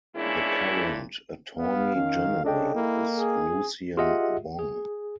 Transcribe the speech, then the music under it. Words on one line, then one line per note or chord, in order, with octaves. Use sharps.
The current Attorney-General is Lucien Wong.
E2 A#2 G#3 C#4 D4 E4
B3 F5
D#3 C#4
C#3 D4 A4 D#5 G5
A#3 E4
G#4
F4 G4 G#4 D#5 E5 F#5
G#4